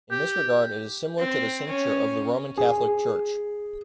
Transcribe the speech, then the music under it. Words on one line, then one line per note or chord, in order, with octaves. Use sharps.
In this regard it is similar to the cincture of the Roman Catholic Church.
G4
C4
C#4
G#4